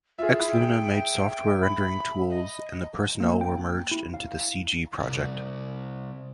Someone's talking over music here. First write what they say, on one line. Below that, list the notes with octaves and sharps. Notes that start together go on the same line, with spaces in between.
Exluna made software rendering tools and the personnel were merged into the Cg project.
F4 G#4 E5
E4
G5
B5
D#5
A#3
G5
E4
F5
C2 F2